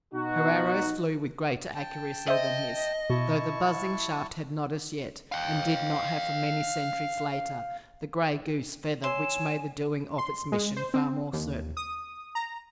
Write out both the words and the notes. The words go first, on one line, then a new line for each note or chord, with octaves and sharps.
Her arrows flew with greater accuracy than his, though the buzzing shaft had not as yet, and did not have for many centuries later, the "gray goose" feather which made the doing of its mission far more certain.
B2 D#4 F#4
G5 A5
C5 D#5 E5
B2 E4 A5 C#6
F5 G5
C#5 G#5 C6 E6 E7
C6
G#3
C5
C4
D#2
D#6
A#5